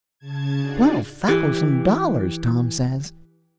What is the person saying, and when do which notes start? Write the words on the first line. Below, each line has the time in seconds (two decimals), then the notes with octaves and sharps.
"Twelve-thousand-dollars!" Tom says.
0.19 C#3 A5 G#6
0.61 D4 D#4 F4 F#4 G#4 D5
1.28 E3 G4